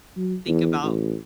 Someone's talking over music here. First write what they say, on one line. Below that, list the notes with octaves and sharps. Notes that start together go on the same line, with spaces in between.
think about“
F#3
E2
A1